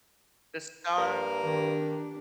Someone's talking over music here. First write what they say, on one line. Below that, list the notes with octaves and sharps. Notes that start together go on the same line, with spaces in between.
The star
G2 A#3
D#3 D4 G4